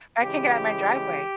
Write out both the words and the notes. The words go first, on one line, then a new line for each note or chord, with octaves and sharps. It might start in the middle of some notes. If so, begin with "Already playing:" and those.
but I can't get out of my driveway.
C#3 E3 G#3 G4